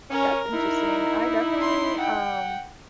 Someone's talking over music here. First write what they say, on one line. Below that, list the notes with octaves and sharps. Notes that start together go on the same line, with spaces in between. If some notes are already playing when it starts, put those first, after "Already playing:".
That's interesting. I definitely, um,
C#4 A#4
D#4 E4
C6
F#5 G5